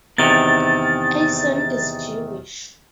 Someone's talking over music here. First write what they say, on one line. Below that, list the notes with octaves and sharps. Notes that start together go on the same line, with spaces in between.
Eisen is Jewish.
E2 C3 D#3 A6